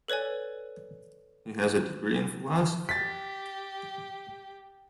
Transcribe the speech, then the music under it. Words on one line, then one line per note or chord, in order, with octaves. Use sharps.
He has a degree in philosophy.
A4 B4 C#5 D5 G#5
G4 A6 B6